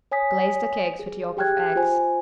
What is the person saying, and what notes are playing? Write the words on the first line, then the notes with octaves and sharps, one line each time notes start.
Glaze the cakes with yolk of eggs.
C#5 G#5 D#6 B6
G#4
G4 G#4 G5 F6 F#6 G#6
F4 C5 G#5